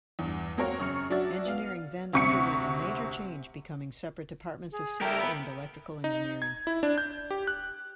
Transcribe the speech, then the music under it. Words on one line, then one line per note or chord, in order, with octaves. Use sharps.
Engineering then underwent a major change becoming separate departments of civil and electrical engineering.
E2 G2
F#3 A#3 C4 F#4 A#4 C#5
F#2 C#3 C#6 F6 C#7
F#3 D4 F#4 D5 E5 A6
B3 F5
D2 C3 C#6 B6 C#7
G#4
G4 A4 A#4 E5 G5
B3
D#4
G#6
E4
D4
G6
G4
F#6